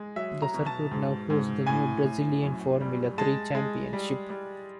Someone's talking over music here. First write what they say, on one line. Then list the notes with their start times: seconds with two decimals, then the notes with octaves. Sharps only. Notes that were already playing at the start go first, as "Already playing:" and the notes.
The circuit now host the new Brazilian Formula Three Championship.
Already playing: G#3
0.16 F#3 E5
0.42 A#5
0.54 B2
0.66 A5
0.91 G#2
1.30 G#2
1.66 A2 G#5
2.04 A2
2.43 F#2
2.80 G3
3.18 G#3 A5
3.55 G#3
3.93 G3
4.30 G3